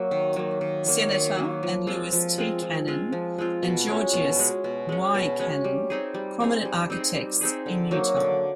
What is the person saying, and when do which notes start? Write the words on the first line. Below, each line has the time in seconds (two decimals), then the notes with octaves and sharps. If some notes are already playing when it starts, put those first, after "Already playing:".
Senator; and Lewis T. Cannon and Georgius Y. Cannon, prominent architects in Utah.
Already playing: F#3 A#3
0.11 D#3
0.36 F#3 A#3
0.61 D#3
0.86 F#3 A#3
1.12 D#3
1.37 F#3 A#3
1.63 F3
1.87 G#3 C4 F4
2.13 F3
2.38 G#3 C4 F4
2.62 F3
2.88 G#3 C4 F4
3.12 F3
3.38 G#3 C4 F4
3.63 B2
3.88 G#3 C#4
4.13 B2
4.39 G#3 C#4
4.64 B2
4.89 G#3 C#4
5.15 B2
5.39 G#3 C#4
5.64 G3
5.90 C4 D#4 G#4
6.14 G3
6.40 C4 D#4 G#4
6.65 G3
6.90 C4 D#4 G#4
7.15 G3
7.41 C4 D#4 G#4
7.66 D3
7.91 F#3 A#3 D#4
8.16 D3